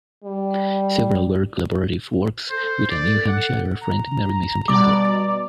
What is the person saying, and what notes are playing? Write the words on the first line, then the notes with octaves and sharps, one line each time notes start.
Several were collaborative works with a New Hampshire friend Mary Mason Campbell.
G3
A4 C5
D5
F#5
A#5
B2 G3 D5 D6